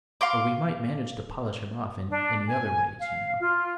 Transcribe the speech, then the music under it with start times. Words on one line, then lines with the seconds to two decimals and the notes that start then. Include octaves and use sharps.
"Or we might manage to polish him off in any other way, you know."
0.21 F5 C6 D6
2.11 D4
2.47 G#5
2.99 F5
3.40 F4